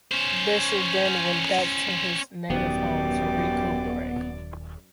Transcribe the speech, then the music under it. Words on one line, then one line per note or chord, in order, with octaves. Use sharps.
Vischer then went back to his native home to recuperate.
C#4 C5
D#1 F#2 D#3 B3 G4 D5